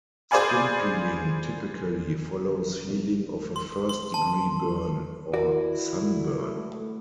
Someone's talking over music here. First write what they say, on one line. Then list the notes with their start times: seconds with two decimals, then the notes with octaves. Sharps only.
Skin peeling typically follows healing of a first degree burn or sunburn.
0.31 G#4 C5 D5 F5 G#5 B5
3.56 C6
3.89 C6
4.14 A5
5.34 E4 F#4 A#4 D5
6.07 A3